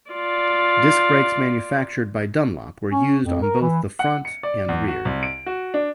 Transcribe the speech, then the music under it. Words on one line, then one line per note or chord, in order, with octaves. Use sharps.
Disc brakes manufactured by Dunlop were used on both the front and rear.
F4 D5
C#4
F2
A#4
E3
F#5
C#7
D5
E2
F#4
C2
D7
F#4
D4